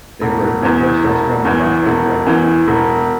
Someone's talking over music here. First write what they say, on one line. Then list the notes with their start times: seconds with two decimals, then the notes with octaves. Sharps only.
They were the first Australian rock band to write their own hits.
0.22 E1
0.62 E2 E3
1.04 E1
1.45 E2 E3
1.86 E1
2.26 E2 E3
2.68 E1